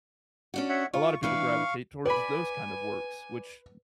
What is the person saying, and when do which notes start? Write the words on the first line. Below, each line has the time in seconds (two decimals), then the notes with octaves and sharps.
a lot of people gravitate towards those kind of works, which
0.54 C#4 D4 F#4
0.69 C#5 E5 F#5
0.94 F4 C#6
1.23 E3 D4 B4 F5 C#6
2.05 B4 D5 G#5 B5